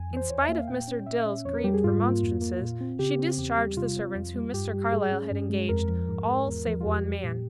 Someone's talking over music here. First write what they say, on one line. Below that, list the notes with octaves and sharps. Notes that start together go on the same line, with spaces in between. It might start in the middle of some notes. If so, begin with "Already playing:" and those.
In spite of Mr. Dill's grieved remonstrances, she discharged the servants whom Mr. Carlyle had engaged, all save one man.
Already playing: F2 G#5
E3
C5
E2 C#5
E5
A#3
F5
A#2 G5
C#4
A#2 E5
C#4
F2 C#5
A#4
G3 G4
G#4
G#2 F4
A#3
F2
A#3
A#2
C4
C#3 G4
C4
E2 G4
G3
C3 F4
C4
F2
G3
G2 G4
G3
G#2 G#4
C#4
G2
G#3
F2 A#4
F3
G#2
G#3
E2
F3
F4
F2 G4
G3
A#2